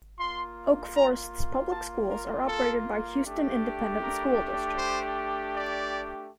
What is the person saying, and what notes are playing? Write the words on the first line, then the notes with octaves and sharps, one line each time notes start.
Oak Forest's public schools are operated by Houston Independent School District.
A#3 F4 C6
A#5
A5
A#4
A4
A3 D4 G4
A#4
C5
D5